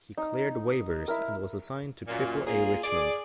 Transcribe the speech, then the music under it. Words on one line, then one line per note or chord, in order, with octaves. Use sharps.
He cleared waivers and was assigned to Triple-A Richmond.
D#4
E4 A#4
F#2 A#2
A#3 C#4 F4 G#4
G#4 D5